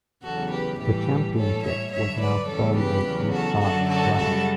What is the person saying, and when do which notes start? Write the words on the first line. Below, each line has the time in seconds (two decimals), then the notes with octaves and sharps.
The championship was now firmly in Clark's grasp.
0.23 E2 C#3 F#3 F#4 A4
0.52 G4 B4
0.80 A2 E3 G3 G4 B4
1.36 A2 G3 A4 C#5
1.64 C#5 E5
1.92 G2 D3 F#3 C#5 E5
2.21 B4 D5
2.48 E2 C#3 G3 A4 C#5
2.77 G4 B4
3.05 E2 C#3 F#3
3.33 F#4 A4
3.61 F#2 D3 F#3 F#4 A4
3.90 F#4 A4
4.17 F#2 C#3 G3 F#4 A4